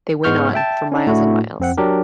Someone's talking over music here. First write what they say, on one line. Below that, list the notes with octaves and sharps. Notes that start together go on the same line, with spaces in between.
They went on, for miles and miles.
G#2 G#3 B3 C#6 F6 G6
E5 G5 A5
C#4 D#4
A2 A3 D4 E4 F#4
F2 C4 F#5
F#3 D4 G4 A#4